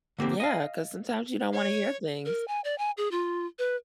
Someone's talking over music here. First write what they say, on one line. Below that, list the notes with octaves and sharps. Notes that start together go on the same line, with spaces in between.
Yeah, 'cause sometimes you don't wanna hear things.
D3 A#3 C4 G4
D#5 F5
C#5
A#4
G#5
D5
G#5
G#4
F4
B4